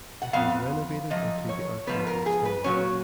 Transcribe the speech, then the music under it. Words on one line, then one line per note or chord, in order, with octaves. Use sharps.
It was renovated into the Art Deco style.
F#5
F2 F3 B3 F5
F#2 F3 D#5
C#5
G#2 F3 B3 B4
A#4
G#4
B4
A#2 F#3 C#4 C#5